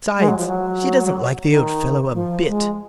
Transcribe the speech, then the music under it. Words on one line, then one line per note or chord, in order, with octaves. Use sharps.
Besides, she doesn't like the Old Fellow a bit.
G#3
F#3
F3
F#3
D#3
F3
G#3